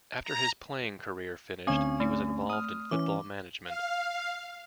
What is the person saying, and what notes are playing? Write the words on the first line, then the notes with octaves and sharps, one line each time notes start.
After his playing career finished, he was involved in football management.
A#5
D2 C4 C#4 G#5 C#6
A3
D#6 F6
E3 C#4 D6
F5